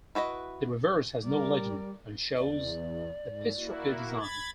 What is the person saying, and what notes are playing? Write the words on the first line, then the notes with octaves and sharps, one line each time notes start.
The reverse has no legend and shows the Pistrucci design.
E4 F#4 B4 D#5
G3 A#4 D5
E2 D5
G#2
A#3 E4 F#4
B5 G#6 A6